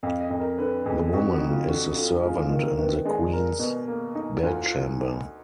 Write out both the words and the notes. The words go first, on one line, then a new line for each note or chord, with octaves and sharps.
The woman is a servant in the queen's bedchamber.
F2 F5
D#5
F2
A#4
D3 B4
F2 G#4
F2 F#4
F#4
D#4
F4
D3 F#4
D3 F4
G#3 F4
F4
D#3
A#3
D#3 B3
G#3 D4
A#4
B2
A#3
D#4
D2 F4
F4